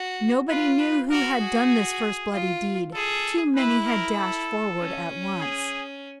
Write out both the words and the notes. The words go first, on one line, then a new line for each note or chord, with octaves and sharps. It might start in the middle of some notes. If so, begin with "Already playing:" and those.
Nobody knew who had done this first bloody deed; too many had dashed forward at once.
Already playing: F#4
F4 B4
B4
F#4 A#4
G#4
F4
G#4 A4
E4 B4
A#4
A4
C#4
G#4